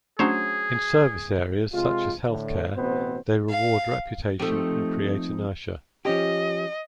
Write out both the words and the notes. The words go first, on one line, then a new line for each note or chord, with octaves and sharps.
In service areas, such as healthcare, they reward reputation and create inertia.
F#3 A3 C#4 D4 G#4 C5 C#5
C3 G#3 F4
A2 D3
A1 B2 B3 C4 C5
F5
F3 A3 C4 D#4 G4
F3 C#4 G4 D#5